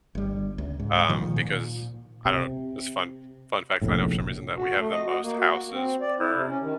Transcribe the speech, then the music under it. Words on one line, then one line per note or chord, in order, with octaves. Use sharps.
um, because I don't it's fun fun fact that I know for some reason that we have the most houses per,
G1 G3
C#2
G#2
A#2 D#3 F3
A#2
C3
F1 A#1 A2
F#4
A3
D#5
F#4
A#3
F#4
C4
D5
E4
C3
C#4
D#3